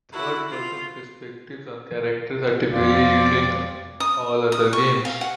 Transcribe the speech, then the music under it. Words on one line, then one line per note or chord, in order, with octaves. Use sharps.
Third-person perspectives on characters are typically used in all other games.
E4 F#4
F4
F2 C4 D5 F5
D#6
D#6
C#6
F5
F#5